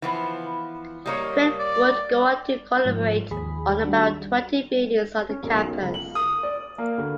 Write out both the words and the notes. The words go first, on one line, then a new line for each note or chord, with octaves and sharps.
Cret would go on to collaborate on about twenty buildings on the campus.
E3 F3 B3
G3 A#3 C#5 D#5
D5
G#2 F3
D#2 G#4 B5
D#3 G3 D4 F#4
C#4
E1
B1
C#2
F#7
D#6
D5
A#3
D2